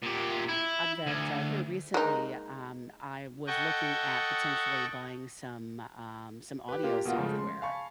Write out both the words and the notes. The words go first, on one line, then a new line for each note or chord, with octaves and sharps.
a that, uh, here recently, um, I was looking at potentially buying some, um, some audio software,
A#2 G4
E4
D2
G#3 A#3 D#4
A4 D#5 F#5 G5 C#6
G4 B4
A#3 F4 G4
B2 A#3 F4 F#5
C#3 F3 G#3 A3
C6
F5 G#5 A5 B5 C#6